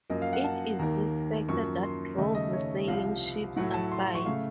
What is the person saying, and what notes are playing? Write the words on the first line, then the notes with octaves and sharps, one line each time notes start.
It is this factor that drove sailing ships aside.
F#2 F3 A#3 D#5
F5
F#5
A5
D#2 D#3 A#3 A#5
F#2 F3 A#3 C#6
C6
D#2 C#3 A3 D#5
D#5
C#5
C2 C3 F3 F5
A2 F#3 A3 F#5
A5
C6
C#6
C#3 A3 F5